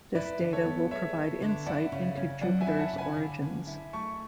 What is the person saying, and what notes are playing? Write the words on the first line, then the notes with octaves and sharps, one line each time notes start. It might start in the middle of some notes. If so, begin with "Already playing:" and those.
This data will provide insight into Jupiter's origins.
E4 B4 D5
D3
A4 C#5
B3
G#3 C#5 E5
E4
D3
E4 D5 F#5
C#3
C#4
F#3 D5 F#5
E5 G#5
E4
F#5 A5
C#3
G#5 B5
D3
D3
E4
A3 A5 C#6